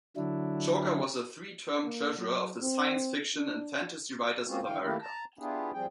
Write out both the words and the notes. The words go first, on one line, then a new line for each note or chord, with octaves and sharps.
Chalker was a three-term treasurer of the Science Fiction and Fantasy Writers of America.
D3 F#3 D4 E4
A#3
F#3
C4
D4
G#3 A#3 C4 C#4 F4 F#4
D3 E3 F5 G5
D#3 A3 A#3 E4 G4
A5 A#5
B3 D4 E4 F4 G4 G#4
F3 G3 C4 G#4 G5